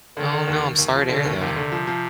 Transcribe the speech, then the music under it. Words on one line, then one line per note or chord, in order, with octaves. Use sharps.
Oh, no. I'm sorry to hear that.
D3 D#3
D3
D#2
D#2
D#2
F3
B2 D3
D#2
D#2 C3
D3
F3
F3